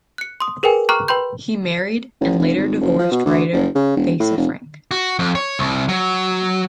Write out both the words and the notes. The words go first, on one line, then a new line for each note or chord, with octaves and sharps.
He married, and later divorced, writer Thaisa Frank.
F#6 C#7
C6 D#6
G#4 A#4 B4 G5 G#5
G5 A#5 C#6 D6 F6 F#6
B4 G5 B5 C6 G6
A1
F1
G#1
F#1
F3
B2
D2
F#1
C#3
E1
A2
F1
F#4
F2
C#5
C2
F#3